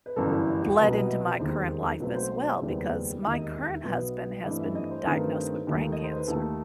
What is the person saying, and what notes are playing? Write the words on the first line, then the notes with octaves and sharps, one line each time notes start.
bled into my current life as well because my current husband has been diagnosed with brain cancer.
B4
G1 F#2 E3 G3 A4
E4
E4
F#4
C2 B2 F#3 B3 D#5
D#5
E5
E1 D#2 D#3 C5
B1 B2 F#3 A3 C4 B4
C5
C5
E5
F#1 E2 D#3 G3 B3 C5
E1 D#2 D#3 E5
D#5
E5
B1 B2 F#3 B3
G2 E3 A3 C4 D#5
E5
D#5
C5
G2 D#3 A3 C4 B4
D#2 D#3 A3
D#5
C5
B4
D#2 D#3 A3 A4